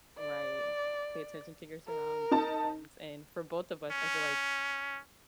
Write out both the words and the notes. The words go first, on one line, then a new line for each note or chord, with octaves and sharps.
Right, pay attention to your surroundings, and for both of us, I feel like
D5
A#4
D#4 A5
C#4